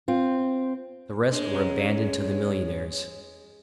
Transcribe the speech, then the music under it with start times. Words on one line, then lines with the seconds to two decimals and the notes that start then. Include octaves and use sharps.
The rest were abandoned to the millionaires.
0.08 C4 F4
1.32 G#3 D4 C#5
1.54 C#4 F#5 A#5